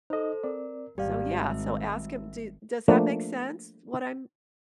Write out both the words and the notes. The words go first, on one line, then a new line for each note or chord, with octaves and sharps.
So, yeah, so ask him, do Does that make sense, what I'm
D#4 A4 C5 D#5
C4 A#4 D5
G#1 G3 G4 D5 F5
E5
F3 A3 A#3 D4